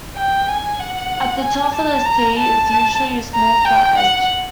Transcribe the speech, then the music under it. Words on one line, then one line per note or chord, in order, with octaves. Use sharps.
At the top of the "C" is usually a small flat edge.
G5
G#5
F#5
G#5
A5
A#5
A5
A5
A#5
G5
F#5